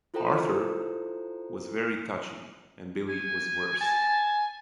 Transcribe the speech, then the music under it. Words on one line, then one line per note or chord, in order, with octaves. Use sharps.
Arthur was very touchy, and Billy was worse.
E4 F4 A4 C5 G5 A#5
G#5
G#5 A5